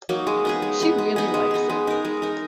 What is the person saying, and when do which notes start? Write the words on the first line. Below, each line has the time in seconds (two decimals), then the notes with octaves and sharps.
She really likes it.
0.09 F#3 A#3 D#4
0.27 G#3
0.45 B3 D#4 G#4
0.62 G#3
0.80 B3 D#4 G#4
0.98 G#3
1.16 B3 D#4 G#4
1.34 G#3
1.51 B3 D#4 G#4
1.70 G#3
1.87 D#4 A#4
2.05 G#3
2.22 D#4 A#4